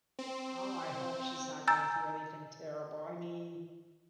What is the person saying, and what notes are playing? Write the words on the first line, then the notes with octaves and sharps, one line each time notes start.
Oh, I hope she's not going through anything terrible, I mean,
C4
G#5 A#5 E6 G6 A6